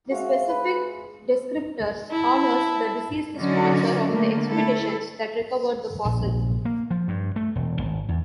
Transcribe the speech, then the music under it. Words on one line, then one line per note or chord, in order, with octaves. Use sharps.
The specific descriptor honours the deceased sponsor of the expeditions that recovered the fossil.
G#3 F#4 E5 F5
B4
E4 A5
D3 F#3 C#4 D#4 F#4 D5
D3 A3 A#3
A3 E4 A4
A#1
A#3
F3
G2
A3
E1
G#1
E2